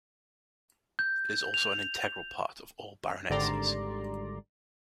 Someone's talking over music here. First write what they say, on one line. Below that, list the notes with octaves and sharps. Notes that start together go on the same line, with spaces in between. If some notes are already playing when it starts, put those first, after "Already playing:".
It is also an integral part of all baronetcies.
G6
F7
G#1 D3 G3 D5 A#5 C6